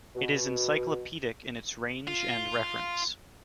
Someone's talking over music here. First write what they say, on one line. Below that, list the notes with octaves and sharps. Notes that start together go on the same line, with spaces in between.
It is encyclopedic in its range and reference.
B2
F4